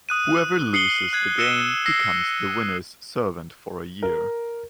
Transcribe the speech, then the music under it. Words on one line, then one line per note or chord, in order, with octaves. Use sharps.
Whoever loses the game becomes the winner's servant for a year.
D#6 F#6 D#7
D#6 C7 C#7 F#7 G7
F#6 G#6 C7
E6 C#7 D#7 E7 G7
E6 A#6 C7
A#4